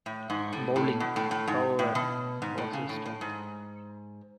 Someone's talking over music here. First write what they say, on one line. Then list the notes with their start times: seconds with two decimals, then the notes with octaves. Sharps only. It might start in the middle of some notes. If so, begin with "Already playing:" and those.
Bowling, however, was his strength.
0.06 A2
0.30 G#2
0.53 A2
0.76 A2
1.00 B2
1.16 A2
1.31 A2
1.48 G#2
1.79 A2
1.95 B2
2.42 G#2
2.58 A2
2.73 C#3
2.89 A2
3.06 A2
3.21 G#2